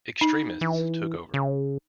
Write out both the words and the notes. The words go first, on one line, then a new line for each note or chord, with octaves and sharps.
Extremists took over.
D#4
E3
C#3